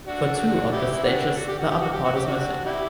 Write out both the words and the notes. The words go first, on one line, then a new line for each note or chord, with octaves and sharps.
For two of the statues the upper part is missing.
D4 F#4
F#4
E4 G4
E4
D4 F#4
F#4
G4
F#4
G4
F#4
G4
F#4
G4
D4 F#4
E4 G4